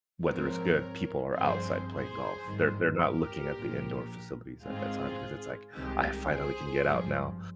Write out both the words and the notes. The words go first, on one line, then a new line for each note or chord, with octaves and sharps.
weather is good, people are outside playing golf. They're they're not looking at the indoor facilities at that time because it's, like, I finally can get out now.
G#2 F3 C4 A#4 C#5
G2 F3 C4 G#4 C5
G#4 C5
G#1 G2 D#3
G4 A#4
A#1 A#2 F3
G#2 D#3 G#3 C4 F4 G#4
C2 C3 D#3 G#3 G4
G#4 C5
G#1 G2 F3